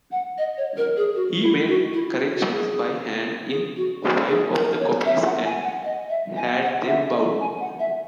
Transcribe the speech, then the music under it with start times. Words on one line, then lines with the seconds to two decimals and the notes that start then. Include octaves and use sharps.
He made corrections by hand in five of the copies and had them bound.
0.11 F#5
0.37 D#5
0.57 C#5
0.77 A#4
0.96 G#4
1.15 F#4
1.41 E4
1.67 F#4
1.93 E4
2.13 F#4
2.33 F#4
2.51 G#4
3.49 G#4
3.76 F#4
4.02 F#4
4.27 G#4
4.54 A#4
4.79 C#5
5.05 E5
5.25 F#5
5.45 G#5
5.64 F#5
5.84 D#5
6.09 E5
6.36 G#5
6.62 F#5
6.87 E5
7.13 D#5
7.39 G#5
7.59 F#5
7.79 E5